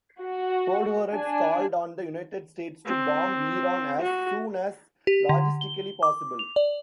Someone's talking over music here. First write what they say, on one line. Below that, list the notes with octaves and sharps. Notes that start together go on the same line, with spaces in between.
Podhoretz called on the United States to bomb Iran as "soon as logistically possible".
F#4
D4 G#5
C4
F#4
G4
D3
G7
D6
F7
D5